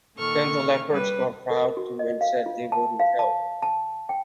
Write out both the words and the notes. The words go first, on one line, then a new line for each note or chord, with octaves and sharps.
Then the leopards got proud too and said they wouldn’t help.
A#2 D#3 A4 C#6 F6
G3 B4
A#4
F#4
D#5
F5
F4
A5
F5
A5
A5
G5